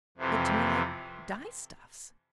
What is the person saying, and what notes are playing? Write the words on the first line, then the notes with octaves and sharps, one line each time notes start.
Look to me like dyestuffs.
F2 C3 E3